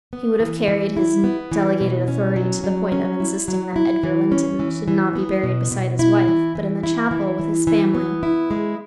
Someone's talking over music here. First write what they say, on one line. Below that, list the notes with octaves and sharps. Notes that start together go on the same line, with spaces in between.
He would have carried his delegated authority to the point of insisting that Edgar Linton should not be buried beside his wife, but in the chapel, with his family.
B3
E3
E3
E4
B3
E3
B2
C#4
F#3
F#3
C#4
E4
F#3
E4
E3
C#4
E3
E3
B3
B2
B2
E4
E3
E3
E4
E3
E3
E3
B3
E4
G#3